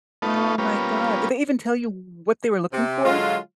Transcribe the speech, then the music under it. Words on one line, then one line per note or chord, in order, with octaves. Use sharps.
Oh, my god, did they even tell you what they were looking for?
A3 B3 D#4 F4 A4
G3 A#3 B3 C#4 F4
C3
D3 F#3 G#3 F4